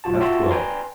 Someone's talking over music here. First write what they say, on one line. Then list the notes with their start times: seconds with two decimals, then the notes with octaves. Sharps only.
Half twelve.
0.04 B1 F4 F#4 A5
0.20 F4 F#4 E5 G5 A5 C6
0.51 B4 D5 G5 G#5 A#5 C6